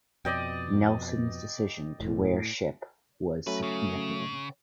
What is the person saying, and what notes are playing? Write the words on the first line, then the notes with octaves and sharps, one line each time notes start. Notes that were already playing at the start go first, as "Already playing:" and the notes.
Nelson's decision to wear ship was significant.
F2 B2 D5 D#5 G5
E1 A2
F#3 A3 C#4 B4
C#3